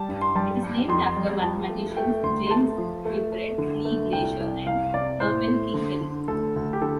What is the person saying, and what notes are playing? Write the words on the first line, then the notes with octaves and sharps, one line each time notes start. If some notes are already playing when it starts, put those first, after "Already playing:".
It is named after mathematicians James Whitbread Lee Glaisher and Hermann Kinkelin.
Already playing: G3 A5
G2
C6
G3 A5
G3
F2 C6
G3
F3 A5
A3
A3 G5
D2 C6
C6
A3 A5
F3
A3
A3
D3
A3
C2 G5
C2
C2 F5
C3 D5
A2 C5
A3
D3
D3
D2 A4
D2
G4
D3 A4